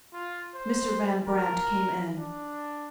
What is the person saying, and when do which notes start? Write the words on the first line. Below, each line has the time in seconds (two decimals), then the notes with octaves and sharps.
Mr. Van Brandt came in.
0.13 F4
0.54 C5
1.28 A#4
2.16 D4